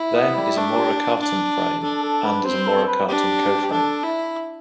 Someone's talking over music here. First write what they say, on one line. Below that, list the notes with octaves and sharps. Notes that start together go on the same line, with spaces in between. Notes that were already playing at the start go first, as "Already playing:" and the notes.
Then is a Maurer-Cartan frame, and is a Maurer-Cartan coframe.
Already playing: E4
B3
G3
A3 D4
G4
D4
D4 A4
A4
B4
C4 C5
A4
B4
D4 G4
G4
D4 A4
E4